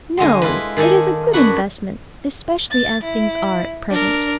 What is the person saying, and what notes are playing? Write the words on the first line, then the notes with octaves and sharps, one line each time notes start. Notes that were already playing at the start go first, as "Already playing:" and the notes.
"No, it is a good investment; especially as things are at present."
D3 G#3 D#5 C6
E4 F4 B4
D#3 G#4 A4 D5 G#5
F#2 D4 F#4 B4 F#5
A6
E4
D4 A#4